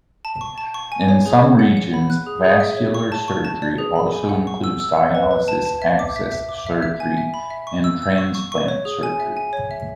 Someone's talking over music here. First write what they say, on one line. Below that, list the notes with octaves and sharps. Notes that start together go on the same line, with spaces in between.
In some regions, vascular surgery also includes dialysis access surgery and transplant surgery.
A5
C#6
A5
C#6
G#5
C#5
G#4
C#5
F#5
F#5
B5
F#6
G#4
G#4
E5
C#5
C#6
A5
C#6
A5
D5
G#4
B5
G#5
F#5
C#6
E6
E6
F#5
B4
B4
A5
A5
E5
D6
E5
E5
D6
E5
E5
G#5
E5
B5
E5
C#6
E6
E6
C#6
C#6
C#6
C#5
G#4
G#5
E5
G#5
C#5
E5